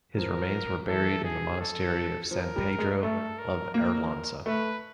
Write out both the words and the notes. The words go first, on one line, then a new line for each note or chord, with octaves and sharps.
His remains were buried in the monastery of San Pedro of Arlanza.
F3 A#4
E3 A4
G#4
A4
F3 A#4
G3
G#3
A3 A4
A#4
A#3 A#4
A3 B4